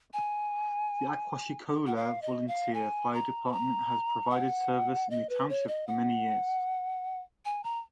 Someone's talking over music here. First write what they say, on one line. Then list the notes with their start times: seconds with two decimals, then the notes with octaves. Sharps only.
The Aquashicola Volunteer Fire Department has provided service in the township for many years.
0.13 G#5
1.87 F#5
1.96 F5
2.22 D#5
2.48 F5
2.74 G#5
3.14 A#5
3.47 B5
3.52 A#5
4.30 F#5
5.10 D#5
5.29 B4
5.49 C#5
5.68 D#5
5.87 F#5
7.45 G#5
7.64 A#5